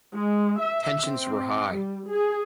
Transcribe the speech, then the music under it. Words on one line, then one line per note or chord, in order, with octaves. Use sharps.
Tensions were high.
G#3
E5
C4
G3
G#4